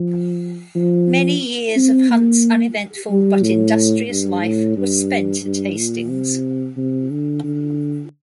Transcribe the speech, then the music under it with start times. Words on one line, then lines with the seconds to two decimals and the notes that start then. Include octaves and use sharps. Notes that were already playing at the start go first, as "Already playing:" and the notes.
Many years of Hunt's uneventful but industrious life were spent at Hastings.
Already playing: F3
0.76 F3
1.76 C4
2.10 A#3
3.10 G3
3.43 A2
4.10 G2
4.43 A2
4.77 G2
5.44 G2
5.77 A#2
6.10 C3
6.77 C3
7.11 D3
7.44 D3